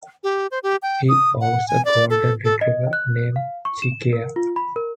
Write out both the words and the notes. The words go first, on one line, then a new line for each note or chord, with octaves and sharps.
He owns a golden retriever named Che Keir.
G4
C5
G4
G5
D#6
F#5
G#5
D5
A4
A4
D#5
F#6
F5
C#6
E7
A#4
F4
B5
A#4